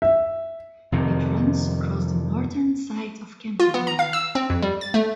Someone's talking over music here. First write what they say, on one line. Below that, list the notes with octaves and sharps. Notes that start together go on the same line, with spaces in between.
It runs across the northern side of Camperdown.
E5
F2 C3 D#3
F4
B3
A#5
F5
E6
C4
F2
G3
A6
A3